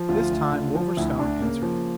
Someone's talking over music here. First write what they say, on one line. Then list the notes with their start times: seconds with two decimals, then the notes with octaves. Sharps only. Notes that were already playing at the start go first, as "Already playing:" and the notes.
This time Wolverstone answered him.
Already playing: F3
0.09 D2 F4
0.31 D2
0.52 D3
0.75 F3
0.97 D2 E4
1.18 D2 D4
1.41 C#3 A#3
1.63 F3